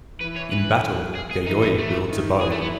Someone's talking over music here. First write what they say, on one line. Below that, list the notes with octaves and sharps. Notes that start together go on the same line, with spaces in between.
In battle, Yayoi wields a bow.
E3 B4
C#5
B4
F#3
G#4
G#4
E3 D#4
D#4
A3
D#3
E3 G#4
A3
B3